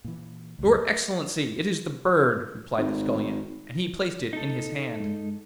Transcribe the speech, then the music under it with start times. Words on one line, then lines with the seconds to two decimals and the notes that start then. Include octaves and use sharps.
'Your Excellency, it is the bird,' replied the Scullion, and he placed it in his hand.
0.04 A#2 E3
0.59 C#2 F#2
2.78 G#1
4.33 D#4 A4
4.96 G2 G#3